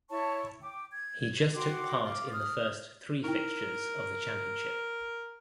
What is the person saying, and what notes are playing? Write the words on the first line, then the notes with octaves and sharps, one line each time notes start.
He just took part in the first three fixtures of the championship.
E4 C#5 A5 C#6
G5 D6
G#6
F#4 G5 C6 D6
F4 D6
D#6 F6
D#4 E4 A#4 G5